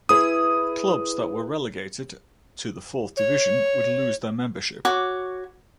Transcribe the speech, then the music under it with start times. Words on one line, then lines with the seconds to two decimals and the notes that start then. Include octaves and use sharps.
Clubs that were relegated to the fourth division would lose their membership.
0.09 E4 G#4 B4 D#6
3.17 C#5
4.85 F#4 C#5 D6